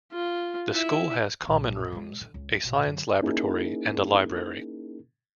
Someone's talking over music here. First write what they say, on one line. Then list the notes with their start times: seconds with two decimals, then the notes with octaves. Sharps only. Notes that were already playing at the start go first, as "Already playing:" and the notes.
The school has common rooms, a science laboratory and a library.
0.12 F4
0.73 E4 E5
1.47 B1 A#2
1.92 C#3 G#3
2.21 D3
2.34 C#2
2.64 A1 B2
2.85 F#2 D3
3.22 A#3 C#4 D#4 E4 G#4 A#4